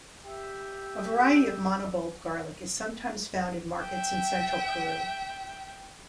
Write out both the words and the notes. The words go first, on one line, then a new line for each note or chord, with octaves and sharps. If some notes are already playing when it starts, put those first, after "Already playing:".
A variety of monobulb garlic is sometimes found in markets in central Peru.
G4 E5
E5 G5